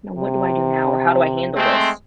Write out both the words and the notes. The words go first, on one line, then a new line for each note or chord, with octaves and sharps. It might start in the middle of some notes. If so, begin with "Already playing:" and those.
you know, what do I do now? Or, how do I handle this?"
C3
G#3 A3 C4